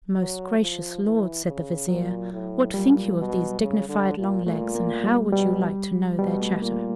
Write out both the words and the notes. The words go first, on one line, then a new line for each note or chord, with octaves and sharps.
"Most gracious lord," said the Vizier, "what think you of these dignified long legs, and how would you like to know their chatter?"
F#3
F3
E3
C#3
A#2 F#3
A2
A#2 G3
B2
C#3
D3
A#2
A#2 A3
A#3
G3
B2 G3
B2 G3
A3
A#2 A#3